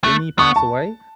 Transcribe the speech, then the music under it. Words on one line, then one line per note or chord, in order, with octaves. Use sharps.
Didn't he pass away?
A3 F#6
B3 C#6
A5